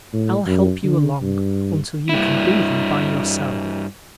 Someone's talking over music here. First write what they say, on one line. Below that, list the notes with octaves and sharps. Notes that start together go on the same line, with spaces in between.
I'll help you along until you can do them by yourself.
A2
F#2
D3
G2
G2 E4